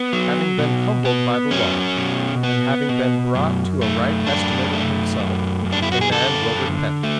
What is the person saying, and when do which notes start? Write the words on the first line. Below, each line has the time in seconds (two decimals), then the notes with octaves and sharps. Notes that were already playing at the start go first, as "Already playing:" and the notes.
Having been humbled by the Law, and having been brought to a right estimate of himself, a man will repent.
Already playing: B3
0.13 F#3
0.59 B2
1.05 B3
1.51 F#3 C#4
1.97 B2
2.43 B3
2.89 B2
3.35 F#2
3.81 A3
4.27 F#2 D4
4.73 A3
5.20 F#2
5.65 F#2
5.72 D4
5.82 E4
5.92 F#4
6.01 G#4
6.12 D3 A4
6.57 D3
7.03 A3